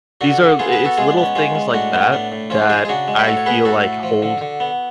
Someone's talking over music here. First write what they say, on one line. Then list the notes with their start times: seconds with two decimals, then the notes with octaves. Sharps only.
these are i it's little things like that, that I feel like hold
0.21 D3 D4 F#4
0.40 D3
0.59 B3 F4 G#4
0.72 G#4 B4
0.79 B3
0.85 F#4 A4
0.97 G#3 F4 G#4
1.11 D4
1.17 B3
1.23 C#4
1.35 G#3 C#4 F4
1.55 G#3
1.74 A2 D4 F#4
1.94 B3
2.12 A2 D4
2.32 A2
2.50 F3 C#4 F4
2.70 G#3 F4 G#4
2.85 G#4
2.89 C#3 D4 F#4
3.08 G#3
3.19 B4
3.26 A2 F#4 A4
3.37 C#5
3.46 B3 G#4 B4
3.65 A2 F#4 A4
3.84 A2
4.03 F3
4.22 D3
4.41 D3
4.60 B3